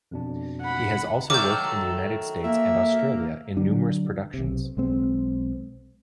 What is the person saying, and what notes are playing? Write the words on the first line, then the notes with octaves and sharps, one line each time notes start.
He has also worked in the United States and Australia, in numerous productions.
F2 B2 D4
F#5 B5
D#3 F#3 A3 A4 D6 G6
A#3 E5
D3 F#3 D4
B1 C3
B1 G#3 C4